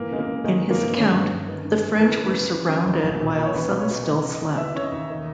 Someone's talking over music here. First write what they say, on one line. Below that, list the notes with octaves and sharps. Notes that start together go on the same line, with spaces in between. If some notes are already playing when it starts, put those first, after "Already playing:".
In his account, the French were surrounded while some still slept.
Already playing: G#1 E3 A#3
C#3 G#3
A#3
C#2
D#3 G#3
G2
A#3
G1
D#3 C#4
G2
G1
D#3
G2
G#1
E3 A#4
C#3
B4
C#2
E3
C#3
D#2
A#1
A#2
A#2
C#5
C#2 B4
B2
C#5
B2
E3 D#5
C#3
D#5
D#2
E3 E5
C#3 C#5
D#5
D#2
D#3